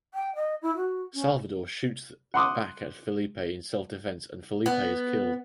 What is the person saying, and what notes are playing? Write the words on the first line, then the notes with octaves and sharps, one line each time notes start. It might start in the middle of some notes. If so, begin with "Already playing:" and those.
Salvador shoots back at Felipe in self defense and Felipe is killed.
G5
D#5
E4
F#4
C#4
F#5 C6 D6 D#6
B3